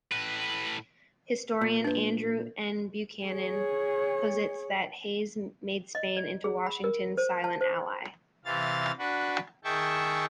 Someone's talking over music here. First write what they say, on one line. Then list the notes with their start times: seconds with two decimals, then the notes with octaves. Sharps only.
Historian Andrew N. Buchanan posits that Hayes made Spain into Washington's 'silent ally.
0.11 A2 B4
1.61 A#2
1.85 D4 B4
3.26 G#4 C#5
5.95 D#5
6.16 D5
6.44 G#4
6.66 B5
6.84 A#4
7.17 C5
7.44 A5
7.61 C5
8.45 C3 E3 F5 A6
8.99 D4 F#4 B4
9.64 D#3 G#4 E5 G5 A5 C#6